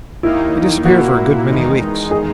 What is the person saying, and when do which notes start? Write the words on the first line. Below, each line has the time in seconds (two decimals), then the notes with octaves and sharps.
He disappeared for a good many weeks.
0.23 D#2 D#3 A#3 D#4 E4
0.85 A#2 A#3 E4 F#4
1.48 E2 D#3 G#3 D#4
2.11 G#4